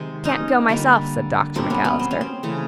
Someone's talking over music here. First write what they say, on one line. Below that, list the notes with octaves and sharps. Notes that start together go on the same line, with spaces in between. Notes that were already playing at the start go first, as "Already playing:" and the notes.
"Can't go myself," said Dr. McAllister.
Already playing: C3 D#3 G#3
C#4 D#4
D3 G3 A#3
B2 G3 A#3 C4 D4
B3 C#4
B3
C4
C#4
C4
C#3 E3 A3